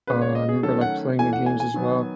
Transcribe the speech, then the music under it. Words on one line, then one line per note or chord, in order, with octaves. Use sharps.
Uh, I remember, like, playing the games as well.
C#3 G#3 B3 B4
C#5
D#5
G#4
D#3 F#3 A3 C#4 A4
F#5
E3 A3 C#4 G#5
F#5
G#5
G#5
D#3 F#3 B3